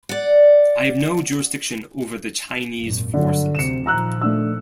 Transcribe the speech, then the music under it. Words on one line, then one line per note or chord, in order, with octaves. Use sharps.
I have no jurisdiction over the Chinese forces.
D5 F#5
G#1 F#2 A#2
G2 D3 F#3
D2 C3 C#7 E7
A#2 D#3 F3 A#5 E6 F#6
A3 D4 E6